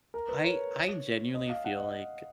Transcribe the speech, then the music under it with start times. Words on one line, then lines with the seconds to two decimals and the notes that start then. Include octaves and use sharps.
I I genuinely feel like
0.14 A#4
0.29 B4
0.44 C#5
1.34 D#5
1.49 F5
1.64 F#5
1.79 D#5